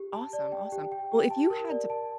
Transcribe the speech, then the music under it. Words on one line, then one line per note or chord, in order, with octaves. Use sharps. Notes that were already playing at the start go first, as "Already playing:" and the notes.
Awesome, awesome. Well, if you had to
Already playing: G4
A5
D5
G5
G4
G5
G4
A5
A#4
D5
A5